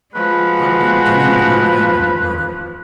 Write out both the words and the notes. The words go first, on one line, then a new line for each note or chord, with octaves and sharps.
I will do anything I can to help Bernard.
F3 G#3 F#4 B4